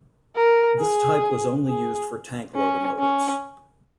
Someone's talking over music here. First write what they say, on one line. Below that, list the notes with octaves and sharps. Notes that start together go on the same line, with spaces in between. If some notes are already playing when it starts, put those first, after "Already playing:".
This type was only used for tank locomotives.
A#4
G#4
G#4
C#4
C#4